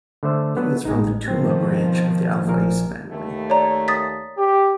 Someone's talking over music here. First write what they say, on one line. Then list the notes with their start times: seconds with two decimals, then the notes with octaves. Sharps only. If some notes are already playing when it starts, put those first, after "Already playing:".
He is from the Tumah branch of the Al Faiz family.
0.23 D3 A3 C5
0.56 F#3 B3 D4
0.85 A1 G#3 D#4
1.28 B2 D#3 F3 C4
2.46 A#1 F3 A#4
3.11 D#2 A3
3.50 C#5 D5 A#5
3.88 D#6 A6 B6
4.37 G4